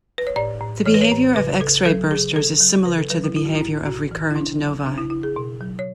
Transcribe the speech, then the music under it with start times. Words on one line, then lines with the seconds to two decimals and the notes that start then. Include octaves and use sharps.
The behavior of X-ray bursters is similar to the behavior of recurrent novae.
0.18 B4
0.27 C#5
0.36 A2 D5
0.61 A2
0.86 E3 C#5
0.94 B4
1.01 C#5
1.11 A2
1.36 C#3 B4
1.61 C#3 A4
1.85 F#3 A4
2.11 C#3 G#4
2.36 C#3 A4
2.60 F#3
2.85 C#3 B4
2.98 A4
3.10 F#3 B4
3.24 E4
3.35 A2 E4
3.45 F#4
3.55 E4
3.61 A2
3.85 A2 F#4
4.11 E3
4.31 E4
4.35 C#3 D4
4.61 F#3
4.86 C#3 D4
4.98 E4
5.10 C#3 E4
5.23 G#4
5.36 B2
5.61 F#3
5.79 C#5